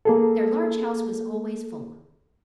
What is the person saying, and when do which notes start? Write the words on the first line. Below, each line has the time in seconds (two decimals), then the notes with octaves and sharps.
Their large house was always full.
0.05 A#3 G#4 A4